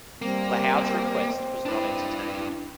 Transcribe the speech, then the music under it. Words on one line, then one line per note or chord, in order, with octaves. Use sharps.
Lahoud's request was not entertained.
G3 A#3 C4
D4 E4 B4